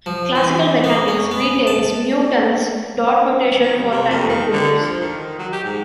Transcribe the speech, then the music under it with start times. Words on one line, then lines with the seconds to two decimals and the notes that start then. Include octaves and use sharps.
Classical mechanics retains Newton's dot notation for time derivatives.
0.06 F3
0.36 E3
0.84 B3
1.08 C#4
1.31 B3
1.67 A5
3.62 D#3
3.77 G2
3.91 C3
4.10 F2
4.29 D#3
4.52 D3
4.80 F3
5.00 D#3
5.39 F#3
5.52 G4
5.65 G#2